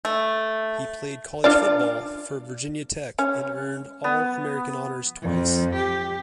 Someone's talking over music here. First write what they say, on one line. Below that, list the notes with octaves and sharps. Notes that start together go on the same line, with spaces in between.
He played college football for Virginia Tech, and earned All-American honors twice.
A3
D4 F4 D5
C#4
B3
F2
G4